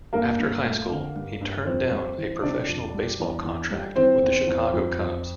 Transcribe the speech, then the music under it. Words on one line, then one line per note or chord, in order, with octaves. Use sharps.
After high school, he turned down a professional baseball contract with the Chicago Cubs.
G2 A#3 A#4
G2
A3
D3
G2
G2
F2 C4 C5
G3
E3
C3 D4 D5
F2
G3
E2
E2
G3
E3 C4 C5
E2
E2
F2
F2